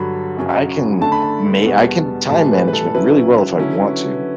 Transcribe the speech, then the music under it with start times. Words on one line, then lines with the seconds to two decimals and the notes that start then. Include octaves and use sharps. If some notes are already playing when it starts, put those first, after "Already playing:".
I can ma I can time management really well if I want to.
Already playing: G2 D3 F#3 B5
0.37 F#2 C#3 F#3 C#4
1.01 D3 A3 D4 A5
1.12 B5
1.22 A5
1.66 E2 B2 G3 B3
2.30 A2 E3 G3 A5
2.52 B4
2.68 B4
2.73 A4
2.94 C#3 F#3 C#4 E4 B4
3.58 D3 F#3 C#4 E4